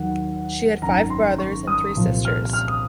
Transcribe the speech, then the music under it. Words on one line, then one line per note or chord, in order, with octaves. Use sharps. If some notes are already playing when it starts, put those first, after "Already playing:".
She had five brothers and three sisters.
Already playing: D#2 D#3 F#3 F#5
G#1 F#2 D#3 A#5
C6
C#6
D#6
C2 A#2 F3
F6
F6
D#6